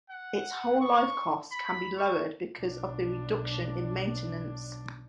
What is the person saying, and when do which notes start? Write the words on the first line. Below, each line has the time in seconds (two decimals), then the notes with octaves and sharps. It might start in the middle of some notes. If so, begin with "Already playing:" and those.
Its whole-life cost can be lower because of the reduction in maintenance.
0.11 F#5
0.80 C#6
1.52 B5
1.98 C#6
2.61 B1 D4